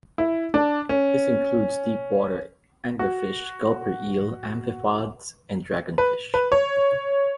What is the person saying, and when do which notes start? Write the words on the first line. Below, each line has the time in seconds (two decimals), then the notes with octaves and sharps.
This includes deep-water anglerfish, gulper eel, amphipods and dragonfish.
0.18 E4
0.54 D4
0.89 C#4
2.99 F#4
5.98 B4
6.34 B4
6.52 C#5